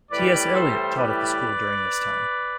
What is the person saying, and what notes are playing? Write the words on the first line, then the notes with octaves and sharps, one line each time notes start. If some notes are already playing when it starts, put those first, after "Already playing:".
T. S. Eliot taught at the school during this time.
A2 E3 G3 B4 D5
A4 C5
B4 D5